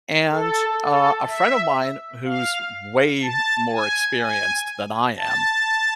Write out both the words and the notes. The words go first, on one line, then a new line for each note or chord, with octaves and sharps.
and, uh, a friend of mine who's way more experienced than I am
A4
A4
E5
F5
A5
G#5
G#5
A5